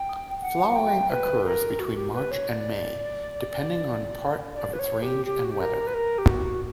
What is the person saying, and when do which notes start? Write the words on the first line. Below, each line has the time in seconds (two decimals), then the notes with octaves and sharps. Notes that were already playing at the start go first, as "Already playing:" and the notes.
Flowering occurs between March and May depending on part of its range and weather.
Already playing: G5
0.42 F#5
0.76 G5
1.10 B4
1.45 A#4
1.79 F#4
1.97 G4
2.14 B4
2.31 C#5
2.48 D5
4.56 D5
4.73 B4
4.79 C#5
5.02 G4
5.25 G4
5.44 F#4
5.52 G4
5.60 A#4
5.87 B4
5.94 A#4
6.18 G4
6.29 F#4